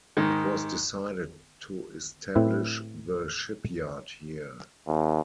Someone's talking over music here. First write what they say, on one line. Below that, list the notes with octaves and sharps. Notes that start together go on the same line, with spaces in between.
It was decided to establish the shipyard here.
G#2 D#3
A2 C4 E4 B4
D#2